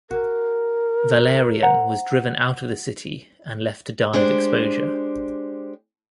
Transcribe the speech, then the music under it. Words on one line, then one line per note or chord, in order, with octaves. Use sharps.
Valerian was driven out of the city and left to die of exposure.
F#4 A#4
C5 F#5 A#5
G#3 D4 G4 C5